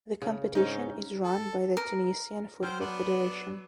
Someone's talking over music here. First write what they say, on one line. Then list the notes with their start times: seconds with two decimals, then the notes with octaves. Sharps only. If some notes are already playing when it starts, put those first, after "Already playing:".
The competition is run by the Tunisian Football Federation.
0.22 C#3
0.55 G#2 C#4 D#4
1.24 A4
1.77 A#4
2.63 F#3 C5 G5 F6
2.80 B3 D4 B4